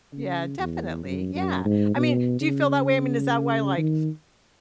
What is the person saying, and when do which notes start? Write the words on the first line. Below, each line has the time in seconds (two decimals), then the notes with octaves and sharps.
Yeah, definitely, yeah. I mean, do you feel that way? I mean, is that why, like,
0.14 C#3
0.59 E2
1.05 F#2
1.35 F#2
1.65 G#2
1.96 B2
2.41 C#3
3.78 D#3